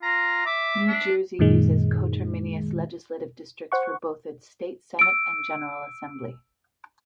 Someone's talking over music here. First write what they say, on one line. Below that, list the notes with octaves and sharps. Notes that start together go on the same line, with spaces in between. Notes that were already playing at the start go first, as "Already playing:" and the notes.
New Jersey uses coterminous legislative districts for both its State Senate and General Assembly.
F4 A#5
E5 D6
D4
F#2 A#2 D#3 G#3
C5 F#5 C#6
E6 D7